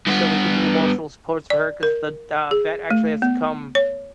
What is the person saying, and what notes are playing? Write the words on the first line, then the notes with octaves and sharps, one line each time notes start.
so we can be emotional supports for her, 'cause the, uh, vet actually has to come
G2 B3
D5
A#4
G#4
A3
B3
C#5